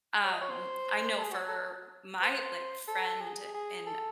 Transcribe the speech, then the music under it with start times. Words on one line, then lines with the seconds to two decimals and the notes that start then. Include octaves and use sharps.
Um, I know for my, like, friend in
0.24 C#5
0.33 D#5
0.41 C#5
0.50 C5
1.18 A4
1.24 G#4
1.32 F#4
1.48 A4
2.23 C5
2.88 A4
3.21 G#4
3.54 G#4
3.87 A4